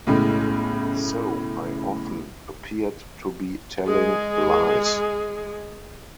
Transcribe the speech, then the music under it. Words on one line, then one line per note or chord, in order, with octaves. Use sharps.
So I often appeared to be telling lies.
B1 A2 C#3 G#3
G#3 G#4